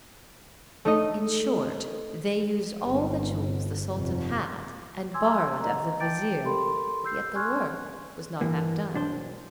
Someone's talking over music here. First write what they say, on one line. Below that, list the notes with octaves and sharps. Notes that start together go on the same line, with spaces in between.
In short, they used all the jewels the sultan had, and borrowed of the vizier, but yet the work was not half done.
A3 D#4 D#5
G1
F1
G#5 C6 D6 E6 G#6
D#5 A#5
G5 A5 D6 G6 A6 D7
G4 A4 A#4 B5 C6
E6 G6 C7
G#5 C6 C#6 F6 F#6 G#6
G2 E3 A#3
B1 D4 C5